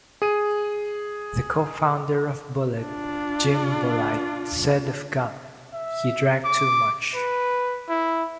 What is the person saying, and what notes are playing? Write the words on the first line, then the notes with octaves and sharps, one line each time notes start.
The co-founder of Bullet, Jim Bulleit, said of Gant:He drank too much...
G#4 D#7
D4 F4
E5
D6
B4
E4